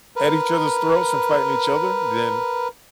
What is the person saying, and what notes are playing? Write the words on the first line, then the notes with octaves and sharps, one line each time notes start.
at each other's throats and fighting each other, then,
A#4 B4